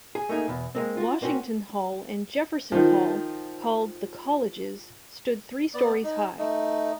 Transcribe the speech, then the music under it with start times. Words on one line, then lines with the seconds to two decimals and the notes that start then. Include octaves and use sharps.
Washington Hall and Jefferson Hall, called the "colleges," stood three stories high.
0.15 G#4
0.29 A3 A#3 D#4 G#4
0.48 E2 B2
0.75 G#3 A#3 C4
0.97 F4 F#4
1.22 A#3 C4 C#4 F#4
2.72 D#3 F3
5.74 B3 D5
6.04 D#4
6.39 A3 D#4